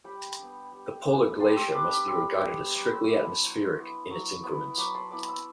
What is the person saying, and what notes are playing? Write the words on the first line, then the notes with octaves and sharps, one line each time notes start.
The Polar glacier must be regarded as strictly atmospheric in its increments.
G3 G5 B5
B3 D4
G3
B3 D4
G3 A5 C6
C6 E6
B3 D4 B5 D6
B5 D6
G3 C6 E6
B3 D4
F#3 B5 D6
C6 E6
B3 E4 B5 D6
A5 C6
F#3
B3 E4
F#3
B3 E4
F#3 B5 D6
A5 C6
B3 E4 B5 D6
C6 E6